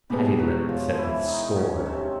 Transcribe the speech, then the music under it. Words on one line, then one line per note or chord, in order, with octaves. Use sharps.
Paddy Leonard said with scorn.
B2 G3 G#3 B3 G4
F#3 F#4
F3 F4
E3 E4
D#3 D#4
C#3 C#4
C#4
C3 C4